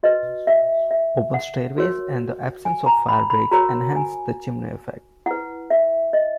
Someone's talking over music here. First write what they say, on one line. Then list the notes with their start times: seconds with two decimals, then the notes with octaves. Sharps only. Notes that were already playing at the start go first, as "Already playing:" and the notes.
Open stairways and the absence of fire breaks enhanced the chimney effect.
0.03 F#4 B4 D#5
0.47 E5
0.91 E5
1.34 F#5
1.78 F#4 A#4 C#5
2.65 G#5
2.86 A#5
3.09 B5
3.30 B5
3.51 F#4 A#4 C#5 A#5
3.96 G#5
5.26 E4 B4 F#5
5.70 E5
6.13 D#5